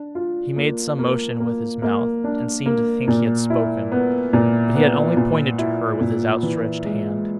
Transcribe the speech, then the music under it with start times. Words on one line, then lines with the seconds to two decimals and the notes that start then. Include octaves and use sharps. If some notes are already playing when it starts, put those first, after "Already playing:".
He made some motion with his mouth, and seemed to think he had spoken; but he had only pointed to her with his outstretched hand.
Already playing: D4
0.15 F4
0.56 A#3
0.99 A#3
1.40 A#3
1.82 A#3
2.24 D4
2.66 A#3
3.08 A#2
3.50 E4
3.92 B3
4.33 A#2
4.75 B3
5.17 A#2
5.59 E4
6.01 A#2
6.43 E3
6.84 G#3